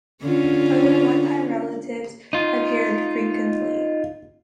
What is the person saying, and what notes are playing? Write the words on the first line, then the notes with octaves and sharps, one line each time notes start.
Other one-time relatives appear frequently.
D3 C#4 F4
D#4 F4